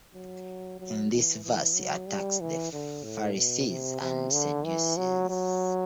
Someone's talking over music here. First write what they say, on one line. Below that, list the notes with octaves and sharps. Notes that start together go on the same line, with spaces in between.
In this verse he attacks the Pharisees and Sadducees.
F#3
F#3
E3
E3
F#3
G3
E3
D3
A2
B2
C3
C3
D3
E3
F#3
F#3